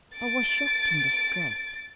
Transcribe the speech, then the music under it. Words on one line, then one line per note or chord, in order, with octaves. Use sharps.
I was shocked and distressed.
A6 D7